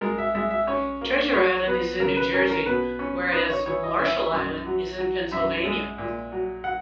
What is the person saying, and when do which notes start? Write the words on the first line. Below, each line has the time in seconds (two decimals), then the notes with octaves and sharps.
Treasure Island is in New Jersey, whereas Marshall Island is in Pennsylvania.
0.01 G#3 A#4
0.18 E5
0.35 G#3 E5
0.50 E5
0.67 C#4 C#5
1.01 A#3
1.34 F#3 C#5
1.67 B3 B4
2.00 C#3 A#4
2.17 B4
2.33 C#4 A#4
2.50 A#4
2.66 B2 B4
2.99 C#4
3.32 D#4 B4
3.50 C#5
3.66 E3 C#5
3.83 D#5
4.00 E3 E5
4.32 F#2
4.66 F#3
4.98 F#3
5.31 F#2 E5
5.65 G#3
5.98 A#2
6.32 F#3
6.64 F#5